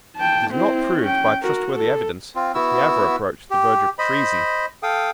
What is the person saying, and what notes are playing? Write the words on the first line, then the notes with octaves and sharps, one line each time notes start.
It is not proved by trustworthy evidence that he ever approached the verge of treason.
G5 A5
C4 E4
C#4 G5
F#4 A#4
A4
C4 F4
B3 E4 F#4 E6
G4
C5 D#5 B5
A4 F5 G5 D#6